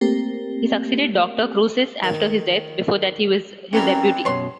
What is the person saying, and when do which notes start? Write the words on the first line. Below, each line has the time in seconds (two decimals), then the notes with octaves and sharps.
He succeeded Doctor Cruces after his death; before that he was his deputy.
0.01 A3 A#3 C4 G4 A#4
2.04 D#3
3.73 E3 F#3 G3 C4 C#4 A#4 A#5
4.25 F#2 B2 C#5 C6